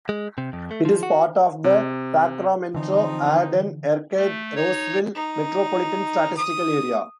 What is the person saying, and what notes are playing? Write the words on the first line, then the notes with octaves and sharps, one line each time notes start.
It is part of the Sacramento-Arden-Arcade-Roseville Metropolitan Statistical Area.
G#3
C3
F2
A3
F3
F#4
C3
D3 E3 F3 C4 D#4
A3
D#4 C#5
D#4
D#6